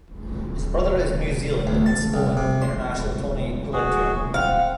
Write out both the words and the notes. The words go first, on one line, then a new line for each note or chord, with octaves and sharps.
His brother is New Zealand and Samoan international Tony Puletua.
D2
A5
C2
C3
C6
F#4 G#4
C4 F5 F#5